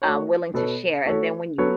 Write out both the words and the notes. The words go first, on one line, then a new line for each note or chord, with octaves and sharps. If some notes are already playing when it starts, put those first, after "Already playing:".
uh, willing to share, and then when you
A3 F#4 C#5
B2 B3 A4 C#5
A3 F#4 A4 C#5
F#3 B3 A4 C#5